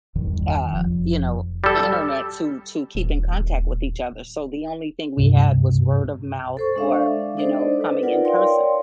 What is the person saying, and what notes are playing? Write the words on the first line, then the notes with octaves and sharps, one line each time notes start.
uh, you know, internet to to keep in contact with each other, so the only thing we had was word of mouth or, you know, coming in person.
G1 E2 D#3 G3
F1 F2
G3 A4
D#1
C#2 G2 C3
A4 C5 C#6
G#3 D4 D5 E5 F5
D4 D#4 A4 C5 D5 D#5
B4
D#4 F4 A#4 B4 D5 F#5
A#4 C#5 D5 F5 G5 C6